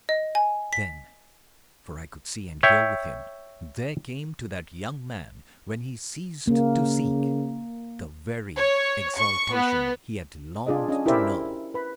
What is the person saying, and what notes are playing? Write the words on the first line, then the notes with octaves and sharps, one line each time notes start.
Then--for I could see and hear with him--there came to that young man when he ceased to seek, the very exaltation he had longed to know.
D#5
G#5
B6
C#5 E5 G5
C#3 A#3
C#5
C#6
B3
D4 F4 G#4 D5 D#5
C#4 D4 D#5
E4 G4 A#4 C5 D5 E5
B4 B5